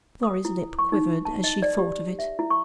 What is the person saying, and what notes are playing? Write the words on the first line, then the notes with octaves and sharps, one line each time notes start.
Florrie's lip quivered as she thought of it.
D#6
E4
C#6
D#4
A5
D#5
D5
G4
E5
E4
C#6